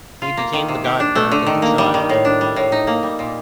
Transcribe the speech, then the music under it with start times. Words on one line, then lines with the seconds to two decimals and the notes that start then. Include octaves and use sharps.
He became the god-parent of the child.
0.22 F4
0.37 A#3
0.53 D#3
0.68 C3
0.84 G4
1.00 D4
1.15 A3
1.32 D3
1.47 D#3
1.62 A#3
1.78 G3
1.94 D#3
2.09 A2
2.25 D4
2.41 G3
2.56 A2
2.72 D#4
2.87 A#3
3.03 G3
3.19 A#2